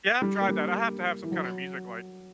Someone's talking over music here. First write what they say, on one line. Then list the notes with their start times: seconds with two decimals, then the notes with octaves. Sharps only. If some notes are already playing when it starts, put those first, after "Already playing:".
Yeah, I've tried that. I have to have some kinda music, like,
0.22 G3
0.41 A#3
0.49 G3
1.23 E3
1.32 F#3